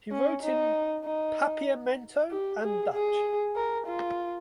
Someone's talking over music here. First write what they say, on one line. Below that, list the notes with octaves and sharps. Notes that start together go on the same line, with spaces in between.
He wrote in Papiamento and Dutch.
C#4
D#4
D#4
G4
G#4
G#4
A#4
F4